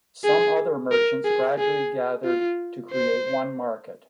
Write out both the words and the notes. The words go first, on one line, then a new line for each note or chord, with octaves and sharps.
Some other merchants gradually gathered to create one market.
G#4
A#4
G#4
G#4
F4
C5